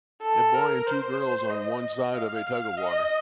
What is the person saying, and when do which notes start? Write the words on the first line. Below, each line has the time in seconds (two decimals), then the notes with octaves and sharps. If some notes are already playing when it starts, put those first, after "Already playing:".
A boy and two girls on one side of a tugofwar.
0.22 A4
0.54 A#4
0.86 C5
1.50 D#5
2.14 F5
2.77 D#5